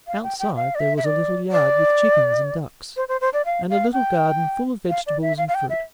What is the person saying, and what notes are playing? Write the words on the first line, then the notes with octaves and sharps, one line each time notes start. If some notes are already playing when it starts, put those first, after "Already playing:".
Outside there was a little yard with chickens and ducks, and a little garden full of vegetables and fruit.
F5
G5
G5
F5
D5
E5
E5
D5
D5
C5
C5
C5
D5
F5
F5
G5
F5
D5
E5
F5
F5
G5
E5